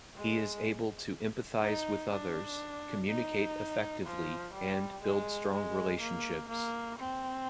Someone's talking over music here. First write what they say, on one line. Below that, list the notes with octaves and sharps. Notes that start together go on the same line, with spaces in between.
He is able to empathize with others, communicate effectively, and build strong relationships.
G#3
D#4
D4
D#4
F3
G3
G#3
G#3
A#3
A#3
C4